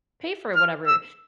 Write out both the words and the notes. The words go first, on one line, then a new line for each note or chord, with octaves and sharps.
pay for whatever
F6
E6